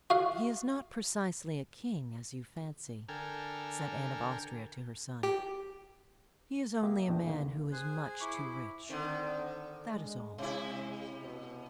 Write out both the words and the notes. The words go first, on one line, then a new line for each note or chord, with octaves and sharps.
"He is not precisely a king, as you fancy," said Anne of Austria to her son; "he is only a man who is much too rich--that is all."
F#4 F5
D3 A4 A#4 G5 G#5 F6
G4
A#3 G4 D#5 E5
A#1 E2 D4 G5
D#2 D3 A#3
G#4 C5 G#5 F#6
E4 C#6 D6
D3 D#3 C4
G#3
C3 G#3 E4
B2